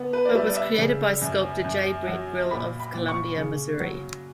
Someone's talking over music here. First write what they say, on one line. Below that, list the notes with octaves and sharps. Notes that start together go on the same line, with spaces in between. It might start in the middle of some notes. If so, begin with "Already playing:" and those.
It was created by sculptor J. Brett Grill of Columbia, Mo.
Already playing: D3 B3
B4
D5
G3 E5
D5
E5
C#3
F#2
F#2
F#3
A#2 B5
B5
A#2
C#6
C#3
F#3